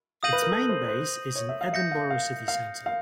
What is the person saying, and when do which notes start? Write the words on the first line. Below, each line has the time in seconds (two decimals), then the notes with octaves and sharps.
Its main base is in Edinburgh city centre.
0.23 F5 D#6 G6 A#6 D#7 F#7
0.33 B4
0.42 A#4
0.52 A4
0.69 C5
0.88 C5
1.36 C#5
1.49 E5
1.61 F5
1.73 E5 G6 A#6 C#7
1.91 F5
2.10 F5
2.48 F5
2.86 F5